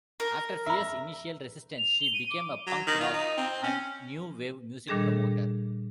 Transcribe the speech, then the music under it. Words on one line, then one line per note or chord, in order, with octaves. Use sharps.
After fierce initial resistance, she became a punk rock and new wave music promoter.
A#4
E5 A#5
F7
G7
D#7
D6
F#3
D#3
F4
D#4
C4
C#4
A#2 D#3 G3 D4 G#4 A4